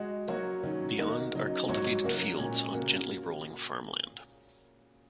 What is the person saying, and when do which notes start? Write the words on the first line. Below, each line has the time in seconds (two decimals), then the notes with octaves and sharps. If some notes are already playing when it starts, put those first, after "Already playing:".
Beyond are cultivated fields on gently rolling farmland.
Already playing: G#3 F#4 D#5
0.28 F#3 A#3 F#4 C#5
0.63 D#3 F#3 C#4
0.98 D#3 A#3 F#4 D#5
1.33 C#3 F#3 D#4
1.68 G#2 F#3 D#4 F#4 C#5
2.03 C#3 F#3 A#3 F#4 A#4
2.38 A#2 G#3 C#4
2.73 C#3 A#3 F#4